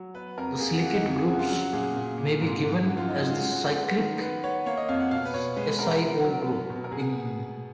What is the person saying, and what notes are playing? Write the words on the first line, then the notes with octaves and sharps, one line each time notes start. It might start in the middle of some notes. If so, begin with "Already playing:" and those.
The silicate groups may be given as the cyclic SiO grouping.
Already playing: F#3
B3 B4
F2 A#4
A#3 G#4
F#4
A#3 F#4
D#4
F2 F#4
G#4
C#3 F#4
F4
F#3 F#4
A#2 G#4
A#2
A#2
G#2
G#2
F#2 F#4
F4
F#2 D#4
F#4
G#3 F4
F#4
G#3
B3
D#3
B3 B4
B3 C#5
A#3 C#5
D#5
F2 F5
F#5
B2 F5
B4
B2 C#5
G#3 B4
B3 A#4
B3
F#3
B3
B2
A#4
B2 G#4